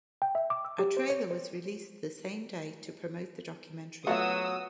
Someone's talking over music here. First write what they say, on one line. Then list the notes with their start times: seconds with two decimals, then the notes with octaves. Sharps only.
A trailer was released the same day to promote the documentary.
0.22 G5
0.35 E5
0.50 D6
0.65 E6
0.79 G4
0.97 C5
1.10 C#5
1.31 C5
4.07 F#3 A3 B3 F4 F#4 F5 D#6 E6